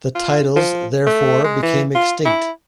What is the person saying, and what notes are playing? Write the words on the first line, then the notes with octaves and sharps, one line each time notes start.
The titles therefore became extinct.
F4
F3
A3
G#3
E3
F4
E4